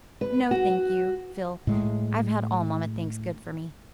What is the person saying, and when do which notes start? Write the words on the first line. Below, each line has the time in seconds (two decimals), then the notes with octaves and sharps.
"No, thank you, Phil, I've had all mamma thinks good for me."
0.21 B4
0.51 F#4
1.67 A2 G#3